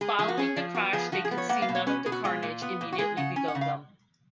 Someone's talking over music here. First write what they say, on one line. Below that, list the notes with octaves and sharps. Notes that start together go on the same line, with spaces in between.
Following the crash, they could see none of the carnage immediately below them.
G#3 G#4
F3 G#4
F#4
C#4 G#4
F3
B3 F#4
F3 G#4
F3 F#4
G#4
B3
C#5
A#3 F#5
F5
B2
C#5
C#4 B4
B2 G#4
F#4
G#3 F4
A#2
B3
A#2
F#4
G#3 G#4
C#3 F#5
C#4 G#5
F#5
C#3
F5